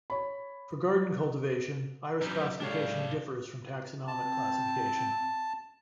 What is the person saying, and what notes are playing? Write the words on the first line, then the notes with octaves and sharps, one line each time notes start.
For garden cultivation, iris classification differs from taxonomic classification.
C#5 B5
F#2 G3 D#4 B4
D2 G#3 D4 G4 A4 C#5 D5 F5
C4 A5